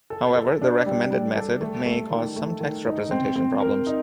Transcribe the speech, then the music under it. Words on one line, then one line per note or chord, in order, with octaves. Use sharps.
However, the recommended method may cause some text representation problems.
A4
A4
D4
G3
G3
A4
A3
A3
D#3
A3
D#3
D#4
C4
C4
A#4
D#4